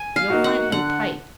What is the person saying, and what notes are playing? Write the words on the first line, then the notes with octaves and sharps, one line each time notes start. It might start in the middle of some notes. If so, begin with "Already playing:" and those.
You'll find him tight.
Already playing: G#5
F5
A#3 D#4 F#4
F#5
D3 F#5